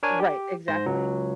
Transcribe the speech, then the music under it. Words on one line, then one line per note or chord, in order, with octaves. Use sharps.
Right, exactly.
D4 A#4 C#5 G#5
G4
G#2 C5 A#6
C#2 F#3